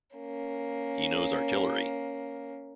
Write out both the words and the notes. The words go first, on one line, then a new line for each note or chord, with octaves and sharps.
He knows artillery!
A#3 C#4